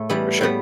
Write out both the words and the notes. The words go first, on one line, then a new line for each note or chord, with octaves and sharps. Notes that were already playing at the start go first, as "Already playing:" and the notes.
for sure.
Already playing: A2 A3
E3 G3 B3
A2 G3 B3